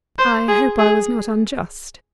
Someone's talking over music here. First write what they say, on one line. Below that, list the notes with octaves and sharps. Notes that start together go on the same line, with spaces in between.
"I hope I was not unjust."
C5
G#4
G#4